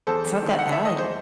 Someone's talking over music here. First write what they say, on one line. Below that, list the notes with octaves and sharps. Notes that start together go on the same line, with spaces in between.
it's not that bad.
E2 A4 C5
E2
D#3
D#3 F#5
E5
D#3
D#5
E2 C5